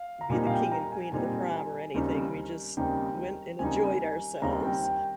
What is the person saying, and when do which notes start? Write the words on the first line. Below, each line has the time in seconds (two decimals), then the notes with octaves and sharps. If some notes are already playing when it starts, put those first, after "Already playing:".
be the king and queen of the prom or anything, we just went and enjoyed ourselves,
Already playing: F5
0.21 A#5
0.30 A#2 G3 C4 D#4 G#5
0.47 F5
0.51 G5
0.72 A#5
0.92 G#5
1.12 A#2 G3 C4 D#4 G#5
1.94 D#2 C#3 G3 C4 D#4
2.77 D#2 C#3 G3 C4 D#4 G5
3.59 D#2 C#3 G3 C4 D#4 G#5
4.42 D#2 C#3 G3 C4 D#4 A#5
4.63 G5
4.83 G5